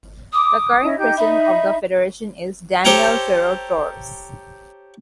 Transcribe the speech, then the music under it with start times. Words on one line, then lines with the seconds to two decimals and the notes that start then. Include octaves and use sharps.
The current president of the federation is Daniel Fierro Torres.
0.33 D6 D#6
0.82 C#4 E4 D#5
0.97 D#4 G4 G6
1.17 D#4 E5 B5
2.85 G4 A4 C5 C#5 G5 A#5